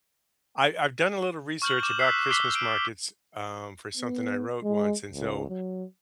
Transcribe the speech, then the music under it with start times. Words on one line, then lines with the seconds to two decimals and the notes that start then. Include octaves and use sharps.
I I've done a little research about Christmas markets, um, for something I wrote once, and so
1.62 C#6 F6 G6 F#7
1.83 D6 G6 E7
1.99 E6 F#6 B6 C7
2.31 C#6 D6 B6 C7 F#7 G7
2.55 D7
3.97 B3
4.64 G#3
5.11 C#2
5.49 F#3